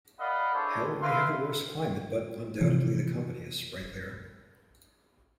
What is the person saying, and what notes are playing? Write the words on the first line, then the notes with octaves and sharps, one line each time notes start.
Hell may have a worse climate but undoubtedly the company is sprightlier.
A#4 D5 D#5 F5 F#5 B5
D4 E4 G#4 A4 C5 C#5
E4 A#4 B4 E5 F5 C6
C3 E3 F3